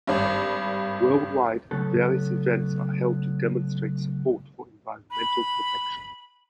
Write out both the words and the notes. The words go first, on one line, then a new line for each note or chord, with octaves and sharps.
Worldwide, various events are held to demonstrate support for environmental protection.
G#1 G2
C#3 F#3 A3 B3 C#4 A4
B5